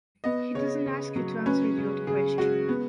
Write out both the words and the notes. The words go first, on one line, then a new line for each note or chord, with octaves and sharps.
He doesn't ask you to answer the old question.
B3 D#5
C#3 C#5
C#3
F#3
C#4 B4
C#3
C#3 G#4
G#3 F#4
B3